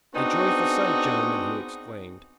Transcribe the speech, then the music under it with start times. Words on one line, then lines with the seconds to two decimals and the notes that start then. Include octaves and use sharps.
"A joyful sight, gentlemen!" he exclaimed.
0.14 B3 C4 D4 D#4 F#4 G#4